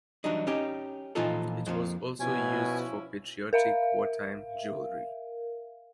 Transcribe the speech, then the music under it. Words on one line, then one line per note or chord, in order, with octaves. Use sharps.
It was also used for patriotic wartime jewelry.
E3 F#3 G3 D4 D#4
C#4 D#4 G4
A#2 E3 F3 D#4 F4 A4
F2 F3 G3 A#3
B2 F3 C#4 E4 G#5
A#4 E5 F5